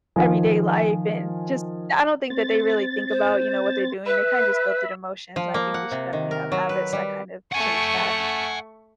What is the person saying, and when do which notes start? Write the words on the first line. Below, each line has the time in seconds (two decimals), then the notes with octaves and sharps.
everyday life. And just I don't think that they really think about, you know, what they're doing. They kinda just go through the motions, and I think we should definitely have habits that kind of change that.
0.16 D#3 F3 F5 G#5
2.30 C4 A6
3.11 C5
4.06 B4 E5 B5
5.36 F3
5.54 A#3
5.74 F#5
5.91 C3
6.13 D#3
6.31 A#4
6.52 F#3
6.69 B4
6.93 G3
7.53 A3 F#5 G#5 C#6